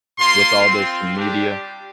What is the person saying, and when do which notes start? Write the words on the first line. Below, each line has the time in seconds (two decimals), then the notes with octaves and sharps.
with all this media.
0.18 A#3 F4 C6
0.68 C4 F4
1.16 G3 D4 G4